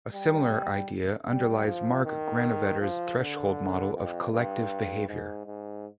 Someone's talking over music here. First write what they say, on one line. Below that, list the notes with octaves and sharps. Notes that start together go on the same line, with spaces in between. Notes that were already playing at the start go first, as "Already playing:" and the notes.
A similar idea underlies Mark Granovetter's threshold model of collective behavior.
G3
G3
F3
D#3
F3
D3
F2
G2
G#2
G#2